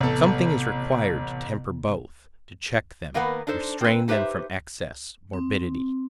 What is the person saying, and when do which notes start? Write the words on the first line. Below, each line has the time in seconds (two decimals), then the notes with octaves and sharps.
Something is required to temper both--to check them, restrain them from excess, morbidity.
0.01 A1 C3 B3 A4
3.14 D#3 A#3 B3 A#4 B4 F#5
3.47 D4 D#4 A4 C5
3.81 C4 B4
4.08 D#4 G4 B4 C5 E5
5.33 C4